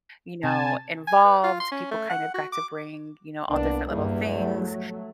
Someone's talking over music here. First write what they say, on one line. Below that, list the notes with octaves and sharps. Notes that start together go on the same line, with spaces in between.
you know, involved, people, kind of, got to bring, you know, all different little things,
C3 G#5 A5
G#5
B4
F4
C6
C#4
A3
F#5
F#4
D6
C2 A#3 B3 D4
E2 G2 G3 A#3
F#3 A3